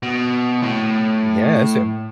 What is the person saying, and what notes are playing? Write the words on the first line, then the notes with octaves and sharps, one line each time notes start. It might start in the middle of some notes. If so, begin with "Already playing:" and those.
Yes, and
B2
A2